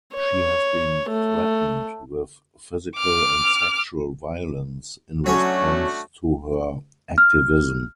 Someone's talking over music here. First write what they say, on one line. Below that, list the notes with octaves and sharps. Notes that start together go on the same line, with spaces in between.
She has been threatened with physical and sexual violence in response to her activism.
C#5
A3
D6 F6
F#3 A3 C#4 D4 F#4
F6